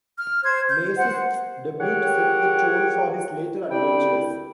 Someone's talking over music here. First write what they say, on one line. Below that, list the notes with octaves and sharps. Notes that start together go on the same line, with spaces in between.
Maciste's debut set the tone for his later adventures.
F6
C5 G#6
G6
C5 F#5
G4 G#4 A#4 C#5 F#5 G5
D2 G3 C4 E4 G5 B5